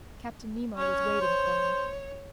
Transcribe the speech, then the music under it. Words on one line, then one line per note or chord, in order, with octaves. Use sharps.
Captain Nemo was waiting for me.
C#4 C#5
C5